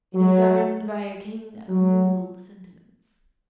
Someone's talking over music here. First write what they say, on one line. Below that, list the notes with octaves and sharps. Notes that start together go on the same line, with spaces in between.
It is governed by a king of mingled sentiments.
F#3
F#3